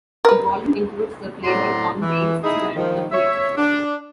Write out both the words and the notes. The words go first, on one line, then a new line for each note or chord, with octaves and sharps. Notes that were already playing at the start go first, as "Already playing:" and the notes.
The volume includes the playwright "On Baile's Strand: A Play".
A#4 B4
A2 F#3 C4 D5 A#5 C6
E3
D#4 E4 G#4
D#3 F3
C#5 E5
D4